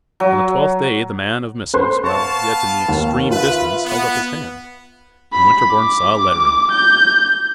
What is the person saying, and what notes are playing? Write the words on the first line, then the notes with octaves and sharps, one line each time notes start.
On the twelfth day the man of missives, while yet in the extreme distance, held up his hand, and Winterborne saw a letter in it.
F#3
B4 C5 C6
B3 F5 A5 C#6
D#2
F4 B4 E5
B3
B5
D6
G6